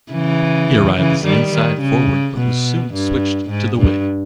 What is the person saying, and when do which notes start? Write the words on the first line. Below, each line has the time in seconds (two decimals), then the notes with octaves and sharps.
He arrived as an inside forward but was soon switched to the wing.
0.12 C#3 E3
0.96 C#3 E3
1.25 D#3 G3
1.53 D#3
1.81 C#3
2.37 B2
2.94 G2
3.50 G#2
3.78 G2